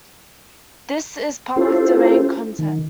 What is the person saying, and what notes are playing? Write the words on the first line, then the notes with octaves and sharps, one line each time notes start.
This is public domain content.
C#4 E4 F4 G4 A4 C5
D#3